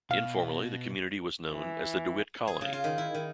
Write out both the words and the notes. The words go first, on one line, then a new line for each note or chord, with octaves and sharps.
Informally, the community was known as the DeWitt Colony.
B2 F5
E3
G#4
C#3
F4
D#3
E4
D#3